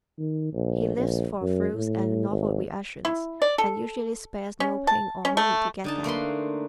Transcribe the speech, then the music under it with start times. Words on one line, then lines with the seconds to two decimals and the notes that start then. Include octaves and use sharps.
He lives for thrills and novel reactions and usually spares no pains or money to get them.
0.18 D#3
0.53 A#1
0.97 A#1
1.41 F#2
1.74 A2
2.30 G#1
3.05 E4
3.42 D5
3.58 A4
4.60 C#4
4.87 A5
5.25 C#4
5.37 A3
5.84 D3 D#4 A5
6.04 A3 A#3 B4 C6